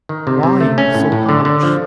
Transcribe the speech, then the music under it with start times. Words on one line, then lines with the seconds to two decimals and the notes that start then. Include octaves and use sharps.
Why be so harsh?
0.09 D#3
0.27 C3
0.43 C3
0.60 A3
0.78 C#4
0.95 A2
1.12 A2
1.29 D3
1.45 D3
1.63 F3